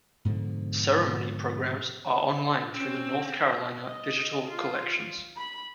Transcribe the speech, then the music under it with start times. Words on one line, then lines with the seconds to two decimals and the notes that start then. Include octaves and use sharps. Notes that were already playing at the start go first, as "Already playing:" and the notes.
Ceremony programs are online through the North Carolina Digital Collections.
0.25 G#2 B2 D3 F3
2.74 C4 C#4
3.84 D#5
4.47 F4
5.35 B5